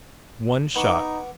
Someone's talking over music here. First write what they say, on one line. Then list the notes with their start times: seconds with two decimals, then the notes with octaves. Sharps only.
One shot!
0.76 B3 D#4 C#6 D6